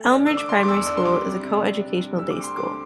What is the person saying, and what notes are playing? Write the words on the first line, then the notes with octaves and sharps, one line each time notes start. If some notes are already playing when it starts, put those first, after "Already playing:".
Elmridge Primary School is a co-educational day school.
Already playing: A3
D4
D4 E6
D6
D4 C6
D6
E2 E6
D4 E6
C6
G3 D6
C3
C3
C3
D4
G3
D2 E6
D6
C4
C6
D3 D6